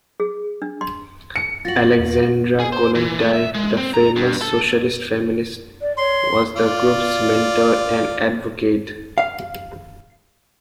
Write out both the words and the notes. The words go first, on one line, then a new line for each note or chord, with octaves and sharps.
Alexandra Kollontai, the famous socialist feminist, was the group's mentor and advocate.
G#4
D4
C6
C#7
F4 F#4 A6 A#6 F#7
E2
G#4
C5
E3
A3
E5
G#3
C4
A#5
G2
A4
D5
C#5 C6
F4 D5
F5